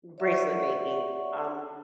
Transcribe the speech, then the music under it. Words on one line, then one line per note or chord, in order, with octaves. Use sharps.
bracelet making. Um,
C#5 D5 E5 F#5 C#6